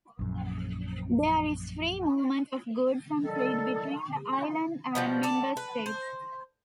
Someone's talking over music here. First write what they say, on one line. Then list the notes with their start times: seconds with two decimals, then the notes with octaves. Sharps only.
There is free movement of goods and trade between the island and Member States.
0.19 A#1 F#2
3.24 D#3 G3 A4
4.95 B2 F3 G3
5.23 A4 D5
5.57 B4
5.86 C5